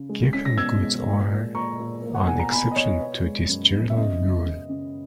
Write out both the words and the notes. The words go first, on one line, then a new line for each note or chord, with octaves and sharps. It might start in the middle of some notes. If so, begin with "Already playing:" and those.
Giffen goods are an exception to this general rule.
Already playing: C#3
G#3
C#4 B6
A#6
B2 E6 G#6
G#3
A#2
A#2
A#2 A#5 C#6
A#2
A#3
F#5
B2 G#5
A#5
B2 G#5 B5
D#5
B2 C#5
B3
G#3
F#2
B3
E5
C#3 D#5
C#3
C#4
C#3